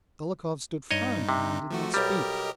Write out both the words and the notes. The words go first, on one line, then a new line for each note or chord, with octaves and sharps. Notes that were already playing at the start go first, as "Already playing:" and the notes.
Dolokhov stood frowning and did not speak.
G2 D#4 C#5 D#5
C3
F3 A3 F#4
B1 G3 G4 A#4 D#5